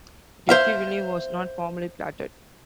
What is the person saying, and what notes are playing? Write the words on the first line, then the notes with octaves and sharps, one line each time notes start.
Dickeyville was not formally platted.
C5 E5 F5